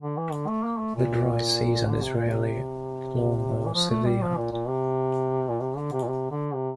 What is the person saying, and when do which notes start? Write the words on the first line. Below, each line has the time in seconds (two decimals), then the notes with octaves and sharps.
The dry season is rarely long or severe.
0.02 D3
0.17 E3
0.32 D3
0.48 A3
0.64 A#3
0.79 A3
0.95 A#2
1.88 D3
2.02 C3
2.15 A#2
2.29 C3
3.66 E3
3.75 F3
3.90 A3
4.05 G3
4.22 F3
4.37 A#2
4.52 A#2
4.68 C3
5.48 A#2
5.61 C3
5.77 D3
5.92 C3
6.03 A#2
6.08 C3
6.31 D3
6.54 C3